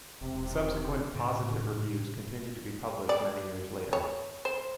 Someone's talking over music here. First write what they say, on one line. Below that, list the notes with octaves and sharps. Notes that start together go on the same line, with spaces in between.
Subsequent positive reviews continued to be published many years later.
E1 C3
A2 C#3
D5
C#5
C5